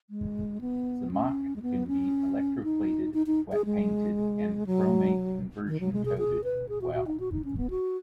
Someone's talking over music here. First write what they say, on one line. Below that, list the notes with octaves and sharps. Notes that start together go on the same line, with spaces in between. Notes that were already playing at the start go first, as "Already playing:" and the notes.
Zamak can be electroplated, wet painted, and chromate conversion coated well.
G#3
B3
C#4
G#3
B3
C#4
D#4
D#4
D#4
G#4
G#3
F#3
D#3
F#3
G#3
G#4
G#4
B4
G#4
F#4
F#4
D#4
F#4
D#4
C#4
B3
F#4